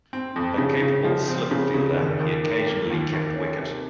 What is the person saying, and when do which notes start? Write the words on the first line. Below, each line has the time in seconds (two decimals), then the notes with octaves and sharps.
A capable slip fielder, he occasionally kept wicket.
0.13 C4
0.36 F2
0.58 C#3
0.82 C#3
1.04 F3
1.28 C4
1.51 C#3
1.74 C#3
1.97 D#2
2.20 D#2
2.43 D#3
2.66 A#3
2.90 D#2
3.13 D#2
3.36 C#4
3.59 C3